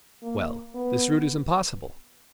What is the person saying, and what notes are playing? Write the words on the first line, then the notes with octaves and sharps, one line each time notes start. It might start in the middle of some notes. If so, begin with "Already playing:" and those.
"Well, this route is impossible."
A#3
B3